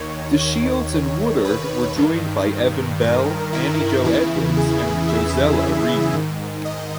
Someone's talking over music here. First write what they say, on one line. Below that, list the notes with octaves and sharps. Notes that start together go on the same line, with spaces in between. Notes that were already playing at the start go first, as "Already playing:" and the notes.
DeShields and Woodard were joined by Evan Bell, Annie Joe Edwards, and Jozella Reed.
Already playing: D#2 D#3 C#5
B4
G2 D#3
A#4
E4
E2 C#3 E3 E4
G#4
E5
G#2 D#3
D#5